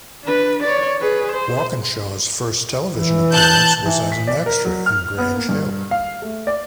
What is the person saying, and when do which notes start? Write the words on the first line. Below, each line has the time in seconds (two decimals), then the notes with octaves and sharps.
Walkinshaw's first television appearance was as an extra in "Grange Hill".
0.24 D4 B4
0.64 C#5 D5
1.01 G#4 B4
1.32 C5
2.98 E3
3.32 A5 F#6 G6
3.86 E3
4.12 B6
4.27 D5
4.46 A#4
4.64 F#3
4.86 F6
5.18 B3
5.33 A#3
5.49 G2
5.91 F5
6.22 A3
6.47 D5